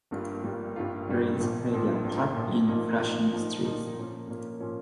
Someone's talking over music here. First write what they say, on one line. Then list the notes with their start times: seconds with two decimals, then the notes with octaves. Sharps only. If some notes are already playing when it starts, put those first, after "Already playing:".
Rains play their part in flushing streets.
0.11 G1 G2 G3 A#3 F4
0.43 G1 G2 G3 A#3 F4
0.76 G1 G2 G3 A#3 F4
1.07 G1 G2 G3 A#3 F4
1.40 A#1 A#2 F3
1.72 A#1 A#2 F3
2.04 A#1 A#2 F3
2.36 A#1 A#2 F3
2.68 A#2 F3 A#3 D#4
3.01 A#2 F3 A#3 D#4
3.33 A#2 F3 A#3 D#4
3.64 A#2 F3 A#3 D#4
3.96 A#2 F3 A#3 C#4
4.28 A#2 F3 A#3 C#4
4.60 A#2 F3 A#3 C#4